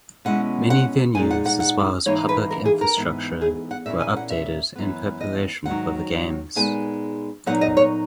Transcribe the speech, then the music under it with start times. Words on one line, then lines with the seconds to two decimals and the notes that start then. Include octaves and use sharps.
Many venues as well as public infrastructure were updated in preparation for the Games.
0.25 B2 G#3 C#4 E4 F#5
0.70 F#5
1.15 A#2 G#3 D#4 G#5
1.31 F#5
1.46 F#5
1.60 F#5
2.06 G#2 E3 A#3 D#4 C#5
2.29 B4
2.51 A#4
2.65 G#4
2.81 A#4
2.96 G#2 E3 B3
3.41 G#4
3.71 F#5
3.86 A#2 A#3 C#4 E4 E5
4.00 G#5
4.17 F#5
4.30 E5
4.76 F#2 E3 B3
5.21 D#5
5.66 G#2 D#3 F#3 F#5
6.55 A#2 G#3 B3 D#4 G#5
7.46 A#2 F#3 B3 D#4 F#5
7.61 D#5
7.77 C#5